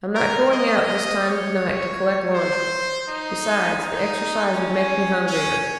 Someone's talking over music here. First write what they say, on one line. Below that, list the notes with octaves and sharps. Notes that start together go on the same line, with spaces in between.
"I'm not going out this time of night to collect laundry; besides, the exercise would make me hungrier."
A#4
D#5
C#5
C5
D#4
D#4
C#4
C#4